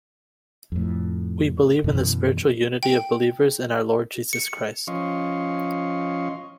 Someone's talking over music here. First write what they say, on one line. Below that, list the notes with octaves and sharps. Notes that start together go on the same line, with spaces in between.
We believe in the spiritual unity of believers in our Lord Jesus Christ.
F2 A2
F#2 B2 E3
G5
C#7
F3 C#4 D#5 F5 C6 C#6